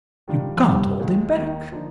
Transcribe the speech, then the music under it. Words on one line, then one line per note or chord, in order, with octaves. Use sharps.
You can't hold him back.
G#2 D#3 G3 D4 F4
F3
C2 C3 D#3 G3
D#2 D#3 G#3
D#2 D#3 A#3 D#4
D3 F3 A#3 D#4